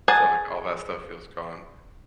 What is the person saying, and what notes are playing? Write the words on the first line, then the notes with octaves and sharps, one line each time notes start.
So, like, all that stuff feels gone.
G#4 F#5 G#5 A5